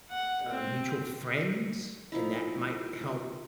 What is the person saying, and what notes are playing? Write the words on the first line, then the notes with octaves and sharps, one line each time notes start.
uh, mutual friends, and that might help
F#5
C4
F3 D#4 E4